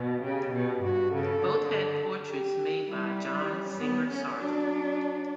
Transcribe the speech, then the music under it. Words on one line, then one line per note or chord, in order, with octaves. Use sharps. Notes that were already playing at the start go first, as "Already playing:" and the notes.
Both had portraits made by John Singer Sargent.
Already playing: B2
C#3 G4
B2
G2 F#4
C#3 A4
D3
A4
G4
G3 E4
C#4
B3
A3 C#4
F#3 D4